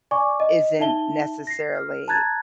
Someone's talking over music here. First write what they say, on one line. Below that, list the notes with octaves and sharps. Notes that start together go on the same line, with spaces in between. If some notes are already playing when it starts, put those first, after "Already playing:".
isn't necessarily
D5 G#5 C#6 D6
D#5
D#4 E5 A5 G7
A#6 C7
F6
A5 A#5 F#6 G#6 A6